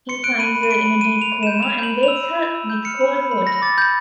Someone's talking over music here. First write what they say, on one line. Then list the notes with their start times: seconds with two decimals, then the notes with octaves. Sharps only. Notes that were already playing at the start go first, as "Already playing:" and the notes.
He finds her in a deep coma and wakes her with cold water.
0.09 C6 C#7
0.24 F#6 D7
0.39 B5 D#7
0.55 B5
0.63 D#7
0.70 B5 D7
0.86 B5
1.01 B5 D#7
1.16 B5
1.22 F7
1.32 B5
1.43 G6 E7
1.62 B5 F7
1.78 G6 F#7
1.93 B5
2.03 F7
2.08 E6
2.24 B5
2.39 B5
2.55 E6
2.70 G6
2.85 F6 C#7
3.01 B5
3.16 B5
3.31 B5
3.47 B5 A#6
3.62 D6 A6
3.77 B5 G6